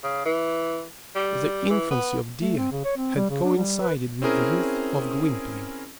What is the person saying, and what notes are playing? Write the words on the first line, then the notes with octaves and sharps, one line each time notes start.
The infancy of Dea had coincided with the youth of Gwynplaine.
C#3
E3
G3
E3
B3
A3
C4
C#3
C#5
C4
G3
C#3
D4
G3
B4
C4 C#4 E4 G#4 A#4